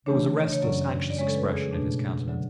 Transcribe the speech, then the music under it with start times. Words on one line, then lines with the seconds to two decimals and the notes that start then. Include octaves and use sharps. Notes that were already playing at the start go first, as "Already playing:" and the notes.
There was a restless, anxious expression in his countenance.
0.06 C#3 E3 A3 D4 C#5
0.52 C#5
0.62 F#2 C#3 F#3 C#4 D5
1.10 D5
1.17 C#3 G#3 C#4 C#5
1.28 A4
1.35 B4
1.53 G#4
1.71 B2 A3 D4
2.28 D3 F#3